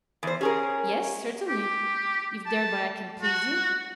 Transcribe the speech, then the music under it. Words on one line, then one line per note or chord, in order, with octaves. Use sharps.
"Yes, certainly, if thereby I can please you."
E2 C5
C#4 G4 G#4 A#4
G4
A5
F#4